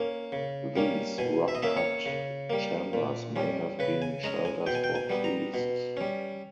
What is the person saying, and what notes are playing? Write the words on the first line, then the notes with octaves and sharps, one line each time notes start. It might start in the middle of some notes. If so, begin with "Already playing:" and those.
These rock-cut chambers may have been shelters for priests.
Already playing: A#3 C#4
C#3
G3 A#3 C#4
B2 G#5
E5
D#5
A#3 C#4 E5
C#5
C#3
G3 A#3
A#2
G3 C#4
C#3 B4
G#5
G#3 C#4 A#5
G#5
B2 G5
G#5
G5
G#5
G3 B3
A#5
B2
G3 C#4